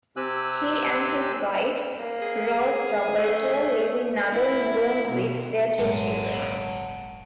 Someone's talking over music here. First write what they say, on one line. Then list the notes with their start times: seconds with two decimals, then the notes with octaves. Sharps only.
He and his wife, Rose Roberto, live in northern England with their two children.
0.17 C3 C4 G4 G#5 E6 F#6
2.00 A#3
2.22 G#4
3.18 A3
4.32 E4
5.09 B2
5.78 D#1 G#1 F#3 G#3 F#5 A5